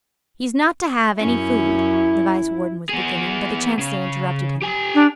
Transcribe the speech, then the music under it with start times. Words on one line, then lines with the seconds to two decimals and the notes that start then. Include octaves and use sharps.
"He's not to have any food--" the Vice-warden was beginning, but the Chancellor interrupted him.
1.21 F#2 C#4 E4
2.89 B3 G#4
3.79 C#3
4.62 G4 G#5
4.95 D4